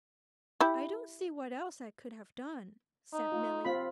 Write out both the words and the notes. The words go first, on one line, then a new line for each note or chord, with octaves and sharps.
"I don't see what else I could have done," said Milly.
E4 G4
D#4
F4
C4 F4 B5